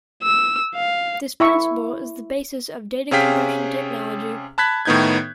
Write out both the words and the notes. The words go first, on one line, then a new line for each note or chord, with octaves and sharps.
This principle is the basis of data compression technology.
E6
F5
E4 E5 C#6
C3 C#4 G#4 F5 G5 B6
A5 B5 F#6 G#6 B6
A2 D#3 B3 D#4 G6 G#6